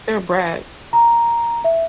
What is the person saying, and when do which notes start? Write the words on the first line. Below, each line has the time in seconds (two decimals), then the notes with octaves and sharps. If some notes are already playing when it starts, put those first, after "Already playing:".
They're a brat.
0.93 A#5
1.64 E5